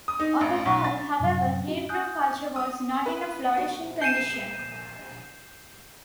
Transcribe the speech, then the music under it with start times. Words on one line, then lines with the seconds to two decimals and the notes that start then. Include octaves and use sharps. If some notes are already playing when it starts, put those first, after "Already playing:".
On the whole, however, Hebrew culture was not in a flourishing condition.
0.08 D#6
0.20 D#4
0.41 A1
0.66 B1
0.84 A6
1.20 F#2 A2 C3 F#3
1.67 C#4 E4 F#4 D#5
1.89 G#5 D#6 F#6 G6
2.56 D#6
3.06 B4
3.57 F#4
4.02 G6 C7 D#7 E7